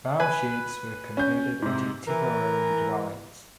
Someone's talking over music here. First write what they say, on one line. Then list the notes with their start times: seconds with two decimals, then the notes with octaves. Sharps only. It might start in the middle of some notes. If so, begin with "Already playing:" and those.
Farm sheds were converted into temporary dwellings.
0.20 B4 G#5
1.17 C#4 G6
1.62 G#2 C3
2.07 E3 A#4